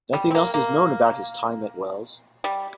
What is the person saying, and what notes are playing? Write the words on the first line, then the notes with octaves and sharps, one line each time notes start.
Nothing else is known about his time at Wells.
G3
C4
A#3
A#3
G3